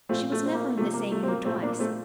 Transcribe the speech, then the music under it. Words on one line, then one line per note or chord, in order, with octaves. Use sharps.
She was never in the same mood twice.
A#2 F3 A3 C4
A3
C4
A#3
C3 F3 A3
A#3
A3
C4
A#3
A#2 F3 A3 C4
A#3 D4
A3 C4